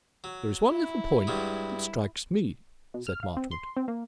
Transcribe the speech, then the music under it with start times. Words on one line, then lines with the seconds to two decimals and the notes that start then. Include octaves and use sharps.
"There is one little point that strikes me," said Marchmont.
0.24 F#3
0.70 E4
1.27 G2 F#3 G#3
2.94 B2
3.07 F6
3.23 F5
3.37 C4
3.51 C6
3.77 C4
3.88 A#3